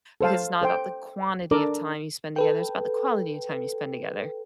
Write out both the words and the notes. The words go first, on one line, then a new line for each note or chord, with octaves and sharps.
because it's not about the quantity of time you spend together, it's about the quality of time you spend together.
A4 C5 F5 A5
A4 C5 G5
D4 A4 A#4 D5 A#5 D6
A4 B4 G5